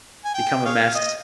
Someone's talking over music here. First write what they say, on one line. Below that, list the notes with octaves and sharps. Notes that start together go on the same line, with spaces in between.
become a mess.
G#5
G5
G#4 C#5 F5
D#5